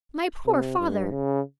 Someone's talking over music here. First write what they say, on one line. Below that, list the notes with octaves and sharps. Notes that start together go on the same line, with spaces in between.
My poor father!
C3
G2
C#3